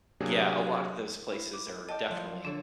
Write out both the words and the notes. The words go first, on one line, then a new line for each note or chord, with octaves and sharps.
yeah, a lot of those places are definitely,
C3 F#3 A#3 D4 G4 G#4
E4
D6
D5 D#5 G5 A5
F3 E5
D3 D4 A4 C#5